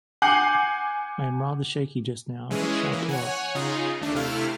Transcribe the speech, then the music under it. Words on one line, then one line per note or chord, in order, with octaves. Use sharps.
I am rather shaky just now, but shall pull up.
F#5 G#5 D6 G6 C7 F#7
E3 G#3 C#4 G#4
E3 A#3
C#5 F#5 G#5
C#3 D#4 F4 G#4
D#2 A3 D4
C3 A3 E4 F5 F6